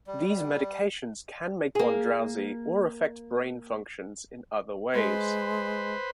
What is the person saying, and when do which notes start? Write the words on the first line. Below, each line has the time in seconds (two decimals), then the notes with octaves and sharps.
These medications can make one drowsy or affect brain functions in other ways.
0.07 G3
1.75 A#3 G#4
4.94 G#3 B4 C5